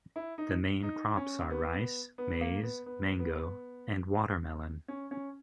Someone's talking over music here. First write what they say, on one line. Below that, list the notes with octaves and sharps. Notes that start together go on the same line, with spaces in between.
The main crops are rice, maize, mango, and watermelon.
E4
D#4
D#4
C#4
B3
B3
A#3
B3
B3
B3
C#4
C#4